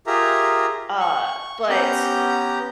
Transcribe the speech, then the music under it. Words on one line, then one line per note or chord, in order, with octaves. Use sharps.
Uh, but
F4 G4 G#4 A#4 E5 A#5
C#6
B3 C#4 G4 A#5 G6